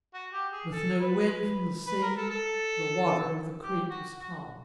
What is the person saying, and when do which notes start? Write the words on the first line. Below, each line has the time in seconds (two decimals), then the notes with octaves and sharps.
With no wind from the sea, the water of the creek was calm.
0.13 F#4
0.32 G4
0.52 G#4
0.71 A4
1.00 B4
1.87 B4
2.02 A#4
2.16 A4
2.30 A4
3.61 G4
3.89 F#4
4.19 F#4